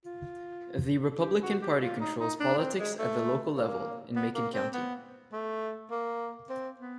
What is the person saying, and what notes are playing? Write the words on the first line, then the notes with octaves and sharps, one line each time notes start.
The Republican Party controls politics at the local level in Macon County.
F4
G4
F#4
G4
F4
D#4
D#4
D4
C4
G#3
A3
A#3
B3
A#3
C4
B3
A3
A#3
C4
B3